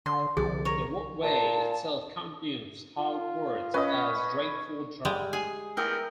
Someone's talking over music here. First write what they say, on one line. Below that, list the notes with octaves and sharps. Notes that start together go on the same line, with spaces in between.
The roadway itself continues southwards as Drakeford Drive.
D3 C6
C2 D3 F3 G#4 D5
A#4 C#5
A#2 A5
F4
C#4 B4 D#5 D#6
G3 G#3
G#4 G#5
E2 A#4 G5